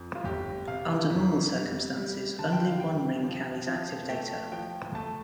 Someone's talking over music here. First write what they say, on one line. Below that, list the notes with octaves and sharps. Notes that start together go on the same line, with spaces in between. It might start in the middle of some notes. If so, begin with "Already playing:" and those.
Under normal circumstances, only one ring carries active data.
Already playing: F2
F4
G1 G4
C3 F5
F2
G3
G3
D3 A5
G5
F5
G3 G5
F3
F3
A3 G5
F3 G5
A3 A5